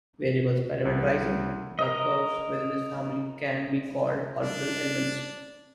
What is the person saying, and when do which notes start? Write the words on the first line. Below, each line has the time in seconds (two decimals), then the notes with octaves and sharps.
Variables parameterising the curves within this family can be called "orbital elements".
0.85 C2
1.79 A#4 D#5
4.39 D4